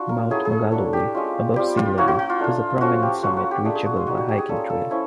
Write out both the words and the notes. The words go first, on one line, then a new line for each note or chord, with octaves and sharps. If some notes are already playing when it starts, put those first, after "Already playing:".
Mount Magalloway, above sea level, is a prominent summit reachable by hiking trail.
Already playing: D4 F4 F#4
A#4
F#3 A3 C#4 E4 G#4
G#4
A4
F#3 A3 D4 A4
G4
G#3 C#4 F4
G3 C4 F4 G4
F4
A#3 C#4 E4 F#4
F#4
F#4
F4
A3 D4 F4
F3 A3 C#4 F4 F#4
G4
A#3 C#4 F4 F#4
F#4
G4
A3 D4 F4 G#4
G#4
F#4
F4
G3 B3 D#4 F#4
F#4
G4
G#4
G3 A#3 C#4 F4 A4
A4
F3 C#4 E4